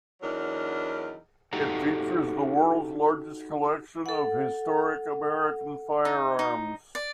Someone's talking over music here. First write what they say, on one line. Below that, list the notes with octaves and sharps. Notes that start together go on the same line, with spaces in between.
It features the world's largest collection of historic American firearms.
E2 F#3 D4 D#4 A#4
D#4 F#4 G4 A4 F#5 A#5
A4 F#5
D#4
D#4
D5